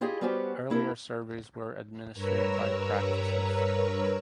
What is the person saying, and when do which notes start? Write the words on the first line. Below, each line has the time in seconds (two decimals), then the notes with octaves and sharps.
Earlier surveys were administered by practices.
0.01 E4 F4 G4 G#4 D#5
0.21 G3 B3 C#4 F#4 G4 C5
0.70 A#3 E4 A4 A#4
2.14 G2 A#4 B4 C#5 A#5 E6